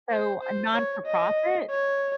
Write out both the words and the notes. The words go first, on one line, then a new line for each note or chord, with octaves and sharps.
So a non-for-profit?
C5
C5
C#5
D#5
C#5